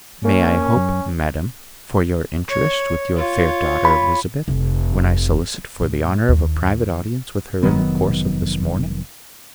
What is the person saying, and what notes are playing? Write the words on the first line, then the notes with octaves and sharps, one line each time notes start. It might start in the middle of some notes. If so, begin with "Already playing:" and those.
"May I hope, madam, for your interest with your fair daughter Elizabeth, when I solicit for the honour of a private audience with her in the course of this morning?"
A#3 C#4
F#2
C#5
F4 C#5
B5
F1
A2
D#2
F1 D#3 F#3 B3